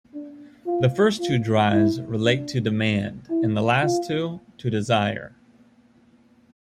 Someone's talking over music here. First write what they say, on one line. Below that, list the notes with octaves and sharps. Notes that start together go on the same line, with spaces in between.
The first two drives relate to demand and the last two to desire.
D4
F4
F4
E4
D4
E4
F4